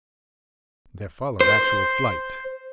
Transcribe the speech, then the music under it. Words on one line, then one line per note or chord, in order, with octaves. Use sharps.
There followed actual flight.
C5